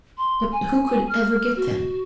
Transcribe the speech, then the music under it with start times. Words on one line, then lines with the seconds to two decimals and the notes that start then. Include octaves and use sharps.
But who could ever get them?
0.18 C6
0.52 G#5
1.09 F6
1.56 F#4